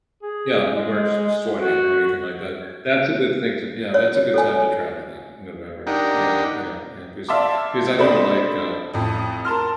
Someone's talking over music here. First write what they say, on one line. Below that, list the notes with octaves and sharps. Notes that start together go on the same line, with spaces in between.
Yeah, you weren't s sweating or anything like that. That's a good thing to Yeah, that's a good time to travel then- November. Yeah, yeah, yeah because I because I don't like, uh,
G#4
G#3
F#4
C#5
A4 C#5 G#5
D4 D#4 G4 A#4 F#5
D5 E5 F5 A5 C6 D6
C4 D4 A4 C5 D#5 B5
A1 F2
A#4 A5 C6 F6